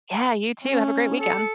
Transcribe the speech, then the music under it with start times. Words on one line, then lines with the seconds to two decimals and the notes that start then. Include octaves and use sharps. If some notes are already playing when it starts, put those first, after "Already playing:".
Yeah, you too. Have a great weekend.
0.65 C#4
1.21 A4 C#7